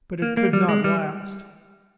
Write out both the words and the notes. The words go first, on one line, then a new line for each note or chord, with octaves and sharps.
But it could not last.
A#3
A#3
G3
G#3
G3